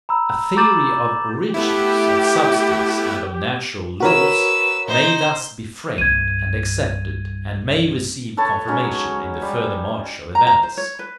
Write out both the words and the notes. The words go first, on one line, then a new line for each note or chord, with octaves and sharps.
A theory of origins, of substance, and of natural laws may thus be framed and accepted, and may receive confirmation in the further march of events.
A#5 B5 E6
A#5 D6 G6 A6 E7 F#7
A3 B3 E4 G4
F#4 A#4 B4 C#5 E6
D#4 C5
C2 G2 G#6 D#7
A4 B4 C#5 A5
F#3 G#3 C#4 D#4
G3
A#5
A#5
C5
C#5
B4